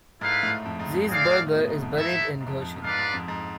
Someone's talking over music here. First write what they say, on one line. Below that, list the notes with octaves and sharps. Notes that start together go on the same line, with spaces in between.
Zeisberger is buried in Goshen.
G#2 A3 E4 B4 F5
A2
F2
G#2
F2
A2 C4 G#4 D5 F5
A2
B2
G#2
F2
A2
G#2 A3 E4 A4 E5
G#2
F2
F2
F2
G#2 D4 F4 B4 D5 F5
G#2
F2
G#2